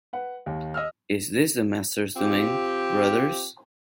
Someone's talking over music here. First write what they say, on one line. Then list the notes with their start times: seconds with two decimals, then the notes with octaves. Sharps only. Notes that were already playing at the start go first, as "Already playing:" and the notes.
Is this the Master’s doing, brothers?
0.13 B4 F#5
0.46 D#2 D#3
0.74 D#5 E6 F6
2.17 C4 F4 G4